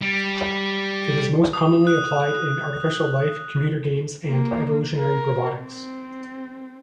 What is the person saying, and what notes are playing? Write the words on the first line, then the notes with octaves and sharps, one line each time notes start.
It is most commonly applied in artificial life, computer games, and evolutionary robotics.
G3
D#6
F#6
A#3
A#4
C4